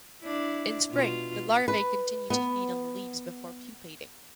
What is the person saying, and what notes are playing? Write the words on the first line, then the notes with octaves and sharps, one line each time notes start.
In spring, the larvae continue to feed on the leaves before pupating.
D4 E4
B2 F4
B4
B3